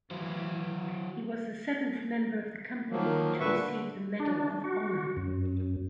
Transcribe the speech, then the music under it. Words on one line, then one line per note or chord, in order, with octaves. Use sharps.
He was the seventh member of the company to receive the Medal of Honor.
E3 F#3 C5
D#3 F3 F#3 A#3
A#2 D3 B4 E5 C#6
D3
D4
F#4
F#2